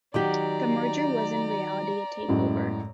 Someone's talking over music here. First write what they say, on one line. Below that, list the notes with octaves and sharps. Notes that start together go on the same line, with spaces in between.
The merger was in reality, a takeover.
D#3 F#3 G4 D5 G5 A#5 D6
F#2 A2 G#3